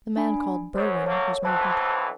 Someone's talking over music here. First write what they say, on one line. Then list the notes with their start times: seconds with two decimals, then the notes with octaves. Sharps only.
"The man called Berwin was murdered."
0.17 D4 G#5 B5
0.74 F#2 C5 C#5
1.06 F#3 A3 A#3 C#5
1.43 B1 F2 E3 C5 A5 F#6